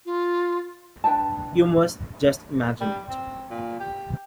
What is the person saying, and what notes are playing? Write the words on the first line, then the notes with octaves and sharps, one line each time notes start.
You must just imagine it.
F4
D4 B4 G5 A5
G3
C4
A#2
G4